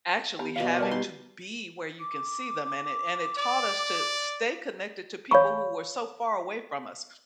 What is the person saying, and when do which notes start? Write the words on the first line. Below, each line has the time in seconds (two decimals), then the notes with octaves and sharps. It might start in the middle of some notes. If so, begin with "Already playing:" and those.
actually having to be where you can see them. And it and it taught us to stay connected to people who were so far away from us,
0.39 B3 G4 A#5
0.56 B2 D5 F5 G5
0.79 G3 F#4 A#4 D5 G#5 A5
0.91 B3 D#4 G4 C6
1.99 D6
3.38 D5
5.31 C#5 F5 B5 C#6